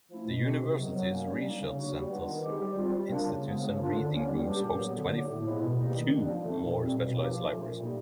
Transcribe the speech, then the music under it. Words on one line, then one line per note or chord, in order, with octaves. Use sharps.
The university's research centres, institutes and reading rooms host twenty-two more specialized libraries.
F3 A3 C#4 E4
B2
G#3 C4 D#4 F#4
C3
D#3 F#3 B3
F#3
A#3 C#4
G3
A#3 D#4
C#3
F#3 A#3 D4 F#4
G3
B3 D4 F4
D#3
G#3 C4 D#4 G4
G3
C4 F4
G3
A#3 D4 F4
C#3
F3 G#3 B3
C#3
F3 A#3 D4 F4
D3
F#3 A#3 C#4
G3
B3 D4 G4
A#2
F#3 B3
D3
F#3 A#3 D#4 G4
A2
F3 G#3 B3 E4
B2
G3 A#3 D#4
D#3
G3 B3 D4
F3
A3 C4 D#4
A#2
G3 C4
B2
F#3 A#3 D#4 G4
F3
A3 C#4 F4
A#2
G3 A#3 D#4